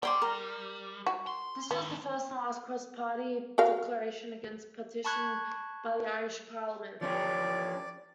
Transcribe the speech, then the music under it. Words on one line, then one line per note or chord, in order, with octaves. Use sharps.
This was the first and last cross-party declaration against partition by the Irish parliament.
G3 D5 G5 C6 D6
A#4
F#4
C6
D#3 G#3 B3
F#4 A#4 F5
A5 B5 C#6 F#6 G#6
F3 C#4 G4 D5